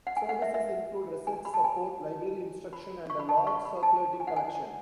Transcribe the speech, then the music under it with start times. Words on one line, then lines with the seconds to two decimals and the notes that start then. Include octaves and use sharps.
Services include research support, library instruction and a large circulating collection.
0.07 F#5
0.16 G#5
0.29 F#5
0.42 E5
0.54 E5
1.27 G#5
1.45 B5
1.54 A5
1.64 G#5
2.73 B5
3.10 C#6
3.19 B5
3.29 A5
3.37 B5
3.47 C#6
3.65 B5
3.83 A5
4.20 G#5
4.27 F#5
4.36 G#5